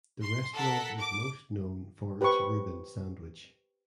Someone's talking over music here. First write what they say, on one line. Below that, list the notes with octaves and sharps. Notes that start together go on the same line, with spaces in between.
The restaurant is most known for its Reuben sandwich.
C6
A4 A#4 F#5 B6
D6
G4 B4 C5 B5 C#6